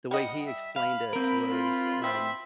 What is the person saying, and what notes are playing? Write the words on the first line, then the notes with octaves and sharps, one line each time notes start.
the way he explained it was, um,
G3 D#5 F#5
E5
F5 B5
C4 A#4
F4
C4 E5